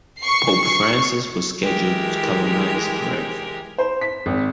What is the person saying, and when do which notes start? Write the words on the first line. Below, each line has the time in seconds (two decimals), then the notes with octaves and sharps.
Pope Francis was scheduled to canonize Rev.
0.20 C#6 C7
1.62 E3 G#3 G4 A#4
3.78 C5
4.01 B6
4.26 G#1